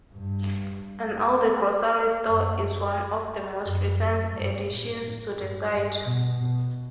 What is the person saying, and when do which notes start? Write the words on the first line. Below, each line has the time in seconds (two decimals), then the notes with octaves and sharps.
An Aldi grocery store is one of the most recent additions to the site.
0.15 G2
2.24 F#2
3.62 F#2
4.32 G2
4.67 A2
5.02 A2
5.36 G2
5.70 G2
6.06 B2
6.40 B2